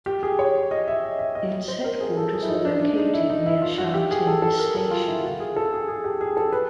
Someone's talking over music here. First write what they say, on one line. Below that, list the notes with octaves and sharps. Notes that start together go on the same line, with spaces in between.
Its headquarters were located near Sha Tin Station.
G4
G#4
C#5
D#5
E5
E5
D#5
C5
A#4
G#4
A4
G#4
E4
D#4
D4
D4
D#4
E4
D#4
E4
F4
F#4
G4
G#4
A4
A4
A#4
A4
F4
E4
F#4
G#4
A4
G#4
G#4
G4
G#4
A4
B4